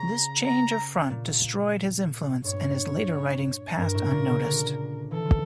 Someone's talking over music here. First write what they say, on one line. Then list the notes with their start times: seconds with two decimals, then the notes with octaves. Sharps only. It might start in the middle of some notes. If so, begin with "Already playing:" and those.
This change of front destroyed his influence and his later writings passed unnoticed.
Already playing: C#3 A#5
0.44 A#5
1.10 A#2
2.44 G2 C#5
3.78 G2 A#4
3.94 A2
4.11 A#2
4.28 C#3
4.45 D3
5.11 E3 A4
5.25 F3